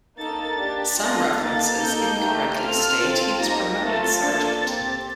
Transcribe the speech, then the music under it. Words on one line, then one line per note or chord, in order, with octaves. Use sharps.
Some references incorrectly state he was promoted sergeant.
A#3 D#4 A4 A6
D4 G4 A6
D4 F4 A4 A#6
A#3 D#4 A4 A6
A#3 D#4 A4 G6
A3 D#4 G4
C4 F4 A4 F6
C4 F4 A4 A6
A#3 D#4 G4 A#6
A3 C4 F4 A4 A6
A#3 D4 F4 A4 A6
C4 G4 A6